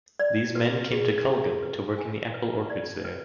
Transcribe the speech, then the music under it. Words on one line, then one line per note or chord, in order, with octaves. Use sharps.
These men came to Kulgam to work in the apple orchards there.
D5
B4
G#4
G#4
B4
G#5
B4
D5
B4